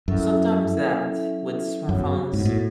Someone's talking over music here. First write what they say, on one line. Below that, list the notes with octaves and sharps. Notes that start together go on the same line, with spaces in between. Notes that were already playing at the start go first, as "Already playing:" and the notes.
sometimes that with smartphones
F#2 F#3 C#4 E4 A4 E5
F#2 B3 F#4 C#5 F#5
G#2
A2